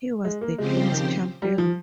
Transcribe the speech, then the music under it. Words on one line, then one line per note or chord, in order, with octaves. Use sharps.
He was the King's champion.
G#3
A#3
C#3 F3 G#3 C4 G4 C5
D#3
G3
F3